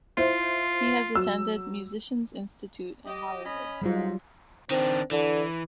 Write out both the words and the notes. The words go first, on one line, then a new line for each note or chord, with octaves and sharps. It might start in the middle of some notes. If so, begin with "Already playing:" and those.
He has attended Musicians Institute in Hollywood.
E4 F4 C5
F#3 E6
G4 D#5
C#4 D#5 B5
G#2 F#3 G3 F4
D#3 C4 D4
D3 E3